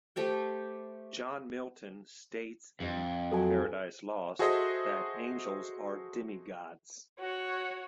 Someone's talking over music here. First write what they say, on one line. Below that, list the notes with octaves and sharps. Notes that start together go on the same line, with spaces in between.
John Milton states in "Paradise Lost" that angels are demigods.
A3 G4 C5 G5
F2
F#3 A4 G#5
F#4 G#4 A4 C5 D#5 E5
F#4 C#5